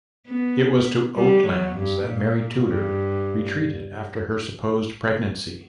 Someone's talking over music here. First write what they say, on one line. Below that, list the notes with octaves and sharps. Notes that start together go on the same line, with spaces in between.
It was to Oatlands that Mary Tudor retreated after her supposed pregnancy.
B3
G3
F#3
G2
A#2
G2